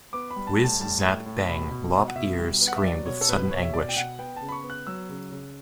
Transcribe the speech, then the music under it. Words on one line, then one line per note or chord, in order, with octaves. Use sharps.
Whiz-zip-bang. Lop-Ear screamed with sudden anguish.
B3 D6
B5
G3
A5
A2
A5
G3 A5
A2
A2
B2 B5
B2
B2
F#5
B2 E5
G3
B3
F#5
E5
F#3 D5
B2 C#5
A4
B2 B4
B4
B2 C#5
E5
B2 D5
G5
B2 F#5
B3 G5
C#3 A5
B5
C#6
B3
F#6
F#3 E6
C#3
C#3